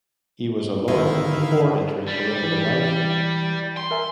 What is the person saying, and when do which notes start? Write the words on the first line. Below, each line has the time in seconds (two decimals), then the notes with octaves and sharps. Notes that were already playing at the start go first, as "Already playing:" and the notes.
He was a lawyer before entering political life.
0.88 G#2 D3 D#3 E4 E5 F5
2.07 G3
2.43 E3
3.77 C6
3.91 A#4 E5 G#5